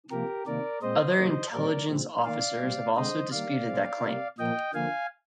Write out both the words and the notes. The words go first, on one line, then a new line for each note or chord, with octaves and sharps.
Other intelligence officers have also disputed that claim.
C3 F3 A#3 G4 A#4
C3 D#3 A#3 A#4 D5
A#2 G#3 C4 C5 D#5
C3 D#3 G3 A#3
A#2 G3 C4 A#4 D5
A#2 F3 G#3 C4
D#3 A#3 D5 F5
A#2 G3 C4
D3 G#3 C4 C5 D#5
D#3 G3 A#3 D5 F5
A#2 G#3 C4
C3 G3 A#3
A#2 F3 A#3 D#5 G5
D3 F3 A#3 F5 G#5